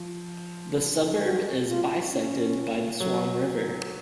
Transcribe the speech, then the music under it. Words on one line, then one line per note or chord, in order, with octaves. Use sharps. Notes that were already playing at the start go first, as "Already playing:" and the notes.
The suburb is bisected by the Swan River.
Already playing: F3
F#4
F4
C#4
F#3